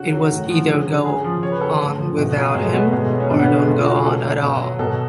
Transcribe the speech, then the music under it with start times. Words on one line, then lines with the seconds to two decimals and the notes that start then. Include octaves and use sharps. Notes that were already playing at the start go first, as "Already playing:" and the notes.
It was either go on without him, or don't go on at all.
Already playing: C#3 F#4
0.12 F#3
0.30 A2
0.50 F3
0.68 C#3
0.87 F#3
1.05 C#3 G#4
1.24 F3
1.43 C#3 C#5
1.52 B4
1.61 F#3 A4
1.81 A2
1.99 F3
2.17 B2 A3
2.36 F#3
2.54 B2 G#3
2.64 A3
2.73 F#3 B3
2.83 A3
2.92 B2 G#3
3.01 A3
3.11 F#3 B3
3.20 C#4
3.30 B2 D4
3.39 B3
3.48 F#3 A3
3.58 G#3
3.67 B2 A3
3.76 F4
3.86 F#3 F#4
3.95 G#4
4.05 B2 A4
4.23 F#3
4.43 B2
4.61 F#3
4.79 B2 A4